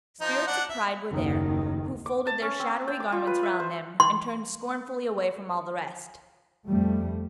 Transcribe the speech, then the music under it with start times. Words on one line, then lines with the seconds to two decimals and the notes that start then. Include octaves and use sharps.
Spirits of Pride were there, who folded their shadowy garments round them, and turned scornfully away from all the rest.
0.21 F3 D#4
0.47 D4 F#5
0.69 E5
1.13 F#1 D#2 A2 D#3
2.06 D6
2.27 A5
2.42 C#4
2.60 C4
2.88 G5
3.00 D6
3.12 F4
3.27 B4
3.43 E5
3.60 C5
4.00 C6
6.66 F2 G3 A3